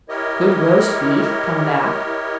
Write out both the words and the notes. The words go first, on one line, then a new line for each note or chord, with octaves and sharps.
Could roast beef come back?
E4 G4 A#4 C#5 D#5